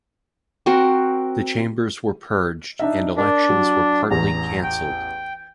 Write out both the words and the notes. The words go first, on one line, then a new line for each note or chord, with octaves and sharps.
The chambers were purged, and elections were partly cancelled.
C4 F#4 A#4
D4 D#4 E5
D4 A#4 D5
F#3
A1 E2 A#5
G5